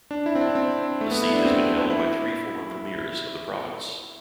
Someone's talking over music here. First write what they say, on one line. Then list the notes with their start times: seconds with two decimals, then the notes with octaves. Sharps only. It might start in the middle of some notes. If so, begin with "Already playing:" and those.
The seat has been held by three former premiers of the province.
0.11 D4
0.26 E4
0.35 C4
0.41 D4
0.55 C4
1.01 A3
1.11 B3
1.22 E4
1.34 D4
1.45 C4
1.90 E4